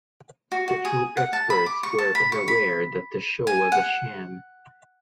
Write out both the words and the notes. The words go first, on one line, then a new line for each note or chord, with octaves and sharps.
The true experts were unaware that the show was a sham.
F#4
F#4
G#4
F#5
A5
B5
D6
C#6
A5
B5
C#6
B5
G#5
F#5